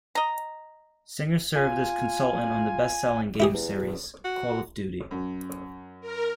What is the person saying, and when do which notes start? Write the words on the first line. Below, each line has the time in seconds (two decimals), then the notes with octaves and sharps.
Singer served as consultant on the bestselling game series "Call of Duty".
0.15 D#5 A#5
1.56 F4 G#5
3.40 E4 G4 G#4
3.54 E2
4.24 F#4
5.11 F#2
6.01 A#4